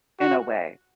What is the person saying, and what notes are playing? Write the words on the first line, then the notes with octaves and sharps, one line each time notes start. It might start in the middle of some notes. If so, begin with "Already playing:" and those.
in a way
F#4